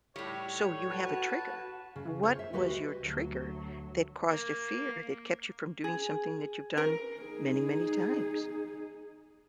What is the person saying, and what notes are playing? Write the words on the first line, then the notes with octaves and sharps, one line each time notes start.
so you have a trigger. What was your trigger that caused a fear that kept you from doing something that you've done many, many times?
A2 G3 C#5
F#4 B4 A5
C#3
F4 C5 C#5
E5
D2 F#4 G4 B4 C5 D#5
D2 F#3
A#3
G#4
A#4
D#4 G#4